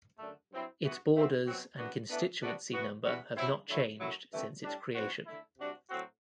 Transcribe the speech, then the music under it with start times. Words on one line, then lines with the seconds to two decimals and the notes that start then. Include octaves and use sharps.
Its borders and constituency number have not changed since its creation.
0.18 F#2 D3 A3
0.50 G2 F#3 C4 E4
0.81 E3 B3 F#4
1.14 E3 A3 C4 F#4
1.46 B2 F#3 C4 F#4
1.77 E3 B3 D4 F#4
2.09 A2 E3 B3 D4
2.40 C3 G3 B3 D4 F#4
2.72 E3 B3 F#4
3.04 E3 G3 B3 F#4
3.36 C3 F#3 C4 E4
3.67 D3 F#3 A3 E4
3.99 F#2 F#3 A3 E4
4.31 G2 E3 A3 C4
4.62 A2 G3 D4
4.94 E3 G3 C4 F#4
5.26 D3 A3 E4
5.57 C3 G3 D4 F#4
5.90 A2 F#3 C4 F#4